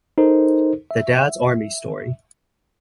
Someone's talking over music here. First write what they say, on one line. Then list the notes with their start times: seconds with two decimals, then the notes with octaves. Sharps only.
The Dad's Army Story.
0.18 D#4 A4 A#4 C5
0.91 E5